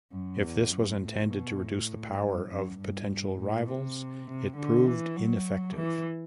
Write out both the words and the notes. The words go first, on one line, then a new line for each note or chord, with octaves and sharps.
If this was intended to reduce the power of potential rivals, it proved ineffective.
F#2
E2
F#2
A2
B2
A2
G2
F#2
G2
A2
C3
C3
D3
E3
F#3
E3